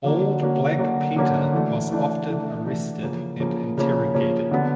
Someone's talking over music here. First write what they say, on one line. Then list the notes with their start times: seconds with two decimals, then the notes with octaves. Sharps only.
Old Black Peter was often arrested and interrogated.
0.04 D3 F#3 A#3 C#4 F#4
0.42 D3 F#3 A#3 C#4 F#4
0.78 D3 F#3 A#3 C#4 F#4
1.16 D3 F#3 A#3 C#4 F#4
1.53 E3 A3 D4
1.91 E3 A3 D4
2.28 E3 A3 D4
2.65 E3 A3 D4
3.02 C#3 F3 A#3 C#4
3.40 C#3 F3 A#3 C#4
3.77 C#3 F3 A#3 C#4
4.14 C#3 F3 A#3 C#4
4.51 D3 F#3 B3